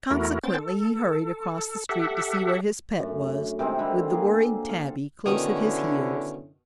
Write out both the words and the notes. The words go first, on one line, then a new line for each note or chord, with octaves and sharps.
Consequently he hurried across the street to see where his pet was, with the worried Tabby close at his heels.
E2 A3 E4 F#4 A#4
B3 C#4 C5 G5 A6
A4
G4 A4 E5 F#5
F#2 A3 D4
C3 D#3 G#3 C4
D3 G3
A#3 G#4
A4 F5
B2 D3 D#3 C#4 E4 D#6